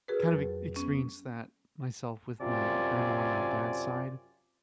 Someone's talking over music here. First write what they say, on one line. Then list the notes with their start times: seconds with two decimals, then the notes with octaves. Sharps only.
kind of e experienced that myself with my grandma on my dad's side,
0.08 F#4 G#4 A#4 B4
0.29 F2 F#3
0.76 B3 C#4
2.41 F#2 C3 F4 D5 G#5